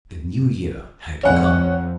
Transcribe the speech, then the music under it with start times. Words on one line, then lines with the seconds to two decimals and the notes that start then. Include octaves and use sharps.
The new year had come.
1.23 F2 C#4 F#5